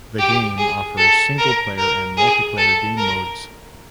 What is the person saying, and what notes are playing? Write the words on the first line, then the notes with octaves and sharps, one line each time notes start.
The game offers single-player and multiplayer game modes.
G4
G#4
A4
A#4
A#4
G#4
A4
A#4